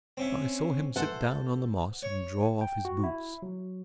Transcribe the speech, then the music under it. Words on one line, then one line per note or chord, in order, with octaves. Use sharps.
I saw him sit down on the moss and draw off his boots.
C4 C#4 E5
A4 C5 F#5
C#5
G5
F#4
E4
F#3